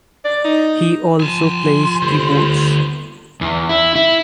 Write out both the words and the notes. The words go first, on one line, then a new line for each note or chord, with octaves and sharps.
He also plays keyboards.
D5
D#4
F3 G#5 A5 C6
G1 D2 C5
E2
E4
E4